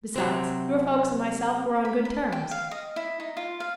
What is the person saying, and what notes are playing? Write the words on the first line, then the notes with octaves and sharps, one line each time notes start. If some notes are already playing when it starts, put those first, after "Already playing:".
Besides, your folks and myself were on good terms.
C3 F#3 C4
B5
B5
G5
F5
D#5
E4
D#4
F4
F5